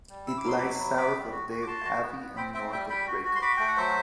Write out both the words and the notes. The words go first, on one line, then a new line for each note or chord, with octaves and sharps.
It lies south of Dale Abbey and north of Draycott.
G3
E4 E6
D6
F#3 C6
F#3 B5 D6
E4
B3 B5 D6
G3
F#4
F#4
D6
F#4 A5 C6
F#4
B3
B3
C4 G5 B5
C4 E5 G5
G3 E5 G5
G3 G5 B5
F#4
F#4
C6
F#4 B5 D6
A3 G5
F#5
F#3 C5 E5